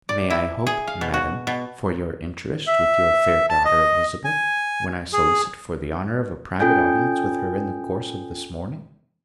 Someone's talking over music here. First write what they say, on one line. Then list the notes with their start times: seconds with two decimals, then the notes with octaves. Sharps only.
"May I hope, madam, for your interest with your fair daughter Elizabeth, when I solicit for the honour of a private audience with her in the course of this morning?"
0.09 D5
0.30 E4
0.67 G#4
0.87 F5
1.01 B2
1.14 F#4
1.47 B2
2.67 E5
3.50 A5
3.65 D#5
4.25 G#5
5.13 G#4
6.60 C#4 F4 A4 G5 G#5 G6